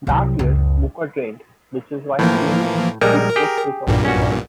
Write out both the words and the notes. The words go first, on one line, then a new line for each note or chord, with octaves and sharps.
That year, Buka trained, which is why he claims he broke his own record.
C2 F#3
F#1 C#2
A2 E3 F3 A#3
A#1 G3 G#3 A#4
G4 G#4 G5
B1 G2 A#2
C#4 F#4